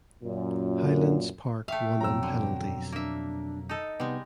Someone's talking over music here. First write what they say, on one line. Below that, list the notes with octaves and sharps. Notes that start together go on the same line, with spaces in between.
Highlands Park won on penalties.
F#2 A#2
A3 E5 F5 G5
F2 B2 F#3 A#5 E6
D3
A#3 D4 E5
D#4 A4 D#5
C3 G3 G#3 B3 D#4